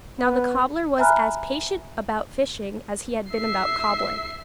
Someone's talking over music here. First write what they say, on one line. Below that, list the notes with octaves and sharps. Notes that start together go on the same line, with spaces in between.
Now the cobbler was as patient about fishing as he had been about cobbling.
B3
E5 G#5 A#5 B5 F6 F#6
E5 C7